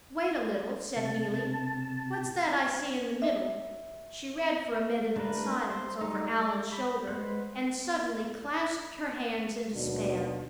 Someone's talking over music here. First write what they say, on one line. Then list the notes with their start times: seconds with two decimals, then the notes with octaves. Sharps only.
"Wait a little," said Neelie; "what's that I see in the middle?" She read for a minute in silence, over Allan's shoulder, and suddenly clasped her hands in despair.
0.96 C3 A5
3.22 E5
5.16 A3 D4 E4 A#4 B4
5.70 C5
6.01 G3 D#4
6.40 D5
6.72 B5
7.07 G#3 B4 C5 F#5
9.74 D#2 B2 F#3 D4